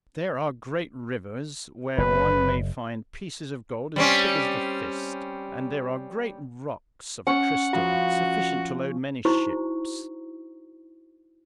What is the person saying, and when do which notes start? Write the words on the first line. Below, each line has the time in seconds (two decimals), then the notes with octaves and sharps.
"There are great rivers where one may find pieces of gold as big as the fist; and there are great rocks of crystal, sufficient to load many ships."
1.98 F#1 B4
3.96 G3 C4 C#4
7.27 C#4 F#5
7.73 F3 F#4 B5
9.25 D#4 E4 F#4 C5 A#5 C#6